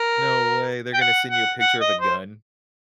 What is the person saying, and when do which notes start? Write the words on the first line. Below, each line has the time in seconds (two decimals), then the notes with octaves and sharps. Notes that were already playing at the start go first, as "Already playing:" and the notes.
No way, they're gonna send you a picture of a gun.
Already playing: A#4
0.94 G5
1.01 F#5
1.31 F#5
1.61 F#5
1.81 D#5
2.01 C5